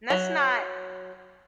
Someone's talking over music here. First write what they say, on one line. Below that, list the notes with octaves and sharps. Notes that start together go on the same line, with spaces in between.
And that's not
F#3